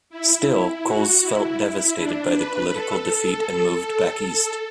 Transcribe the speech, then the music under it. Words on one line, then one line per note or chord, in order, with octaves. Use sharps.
Still, Coles felt devastated by the political defeat, and moved back east.
E4
E4
F#4
E4
E4
D4
B4
A4
A4
A4